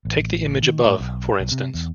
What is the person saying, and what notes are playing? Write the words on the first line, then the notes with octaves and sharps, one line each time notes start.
Take the image above for instance.
A1
D#3
A2
B1
B1
C3
E2